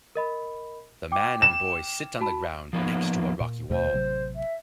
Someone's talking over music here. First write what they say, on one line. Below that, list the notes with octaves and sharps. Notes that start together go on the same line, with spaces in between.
The man and boy sit on the ground, next to a rocky wall.
A#4 D#5 B5
G5 D6
E7
F#4 A5 B5
F3 A#3 B3 D#4
A#2
D#2 B2 A3 C5
A1 C3 F#3
E5